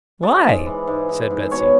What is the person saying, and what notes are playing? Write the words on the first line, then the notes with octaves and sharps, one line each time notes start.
"Why?" said Betsy.
G#3 D5
G#2
E3
G#2
G#2
G#2
B2 C#5